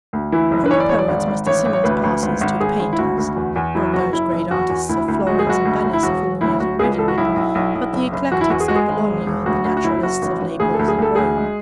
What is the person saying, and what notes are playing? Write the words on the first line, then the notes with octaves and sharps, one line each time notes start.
From the poets Mr. Symonds passes to the painters: not those great artists of Florence and Venice of whom he has already written, but the Eclectics of Bologna, the Naturalists of Naples and Rome.
D2
E3 E4
F#1
B4
E3 C#5
D5
E1 C#5
D5
G#1
G#1
A1 C#5
A1
C#5
D2 B4
D2
G#1
G#1
G#1 G#4
G#1
E4
D2 F#4
D2
E2
E2
F#3 E4
F#1 F#4
F#1 E4
F#1
E2 F#4
E2
D2 E4
D2
G#3 F#4
G#4
F#1 F#4
D2
D2
E4
E1 F#4
E1
D2 E4
D2 F#4
C#2 G#4
B4
C#2 A4
F#4
B1 E4
B1
B1
B1
F#1
F#1
E2 F#4
E4
E2 F#4
G#4
G#3 F#4
G#4
G#1
E1
E1
D2 F#4
D2
F#4
F#1 E4
F#1 F#4
A1
A1
D2 G#4
A4
D2
G#4
D2 A4
D2 G#4
G#3